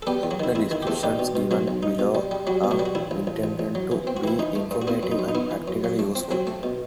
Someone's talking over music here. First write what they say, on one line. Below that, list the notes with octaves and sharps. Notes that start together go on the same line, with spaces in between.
The descriptions given below are intended to be informative and practically useful.
A4
G3 B3 G4
E2
F#3 F#4
D#3 E4
E2 E4
D#3 E4
G4
E2 A3 A4
G3 D#4 G4
B2
B2
B1 F#3 F#4
B1
D#4
B2
G3
G3
F#3 G3 F#4
B2
F#3 F#4
G3
F#4
A1 E4
A1
A1
A1
A1
F#3
E3
C4
F#4
E3 E4
E3 D#4
A3
G2
F#4
B3 E4
F#2
D#4
F#2
D#4
B3 E4
E3
F#2
F#3
A3
C4
F#3 C4 F#4
A3
B2